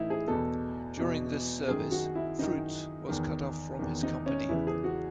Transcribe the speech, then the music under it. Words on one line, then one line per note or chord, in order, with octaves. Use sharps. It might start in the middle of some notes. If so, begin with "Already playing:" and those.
During this service, Fruits was cut off from his company.
Already playing: A2 E3 D#4 E4
G#4
E2 B2 A4
E2 B2
F#2 D#3 G#4
F#4
E4
F#2 D#3 D#4
E2 D#3
E2 D#3
D#4
C#4
E2 C#3 E3 E4
G#4
F#4